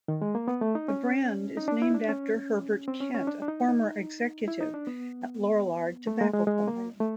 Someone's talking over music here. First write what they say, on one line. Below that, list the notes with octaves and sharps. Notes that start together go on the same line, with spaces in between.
The brand is named after Herbert Kent, a former executive at Lorillard Tobacco Company.
D#3
G#3
A#3
B3
A3
D#4
C#4
D#4
D4
E4
D#4
D4
C#4
C4
C#4
C#4
D4
D4
D#4
D#4
E4
D#4
D4
B3
A3
G#3
G#3
G#3
A#3
A3